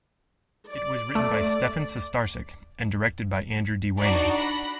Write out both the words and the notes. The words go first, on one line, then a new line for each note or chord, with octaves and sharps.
It was written by Stephen Sustarsic and directed by Andrew D. Weyman.
D5
A3
D4 D#4 F#4 D5
B5 F#6 A#6